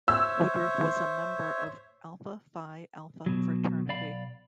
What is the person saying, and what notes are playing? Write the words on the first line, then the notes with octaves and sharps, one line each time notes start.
Woodruff was a member of Alpha Phi Alpha fraternity.
C5 C#5 E5 E6
B2 F#3
B1 D5 F5 B5